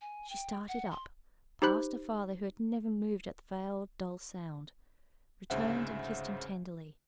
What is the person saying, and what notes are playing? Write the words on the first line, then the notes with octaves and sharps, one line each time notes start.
She started up, passed her father, who had never moved at the veiled, dull sound,--returned, and kissed him tenderly.
G#5
G5
F#5
C6
D#4 G4 C5 B5 F#6
D2 G#2 C#3 C5 E5 F#5